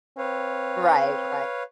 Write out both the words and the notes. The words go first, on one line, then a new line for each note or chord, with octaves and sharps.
Right, right.
C4 B4 C#5 F5